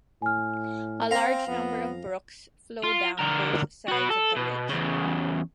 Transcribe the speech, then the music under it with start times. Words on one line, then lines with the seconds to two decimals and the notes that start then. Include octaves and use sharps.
A large number of brooks flow down both sides of the ridge.
0.22 A2 G#5 F6
1.11 C4 F5 A#5
1.48 F2 B3
2.84 F4
3.19 D3 A#4
3.88 F#4 B4
4.10 A4
4.36 B2
4.69 E2 C#3